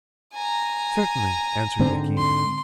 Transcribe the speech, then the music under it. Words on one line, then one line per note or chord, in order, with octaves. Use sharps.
"Certainly," answered Yaquita.
G#5 A#5
G#2 D3 C4
C6